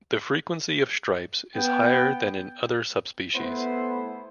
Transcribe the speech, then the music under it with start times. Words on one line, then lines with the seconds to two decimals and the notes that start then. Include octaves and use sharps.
The frequency of stripes is higher than in other subspecies.
1.56 B3 G5
3.35 A3 B3 E4 B4 C5